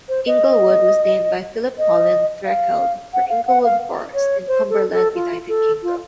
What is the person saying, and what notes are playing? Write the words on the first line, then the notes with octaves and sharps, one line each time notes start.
Inglewood was named by Philip Colin Threkeld for Inglewood Forest in Cumberland, United Kingdom.
C5
D#5
D#5
F5
F#5
F5
F#5
F5
C#5
C5
A4
A4
F4
A4
F4